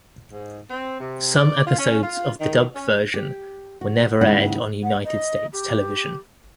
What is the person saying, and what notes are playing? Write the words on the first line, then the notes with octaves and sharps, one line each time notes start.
Some episodes of the dubbed version were never aired on United States television.
G#2
C4
C3
D5
F4
C#4
F4
D#3
C#4
G4
F#4
D#2 G#2 C#3 E4 F#5
F#5
D#5
G4